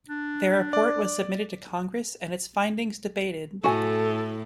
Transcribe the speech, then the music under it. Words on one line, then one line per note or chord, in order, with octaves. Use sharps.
Their report was submitted to Congress and its findings debated.
D4
D5
A2 F#4 A4 G#5